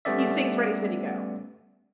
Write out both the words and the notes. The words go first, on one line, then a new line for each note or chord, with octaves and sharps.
he sings "Ready Steady Go!"
G3 A3 B3 C#4 D5 E5